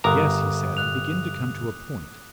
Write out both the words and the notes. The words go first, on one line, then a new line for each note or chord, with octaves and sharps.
'Yes,' he said, 'I begin to come to a point.
G1 A#4 A#5 D6 D#6 F#6
F#6 F7